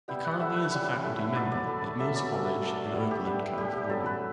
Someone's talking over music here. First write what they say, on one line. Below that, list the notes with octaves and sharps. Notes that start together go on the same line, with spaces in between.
He currently is a faculty member at Mills College in Oakland, California.
G3 B3 E4 G5
F#5
A3 E4 E5
F#5
G3 C#4 E4
A3 E4
F#3 B3 E4 D5
D5
A3 E4
F#3 A3 C#4 E5
D5
F#3 A3 C#4
A3 D4
G3 B3 E4 C#5
G4
G3 B3 E4
G3 B3 D4 G4
F#3 C#4 E4 A4
B4